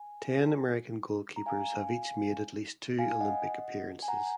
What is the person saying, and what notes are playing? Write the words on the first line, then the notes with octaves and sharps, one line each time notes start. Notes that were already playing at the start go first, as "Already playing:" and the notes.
Ten American goalkeepers have each made at least two Olympic appearances.
Already playing: G#5
A#5
F5 G#5
F5 G#5
G#5
D#5 F#5
G#5
F#5 A#5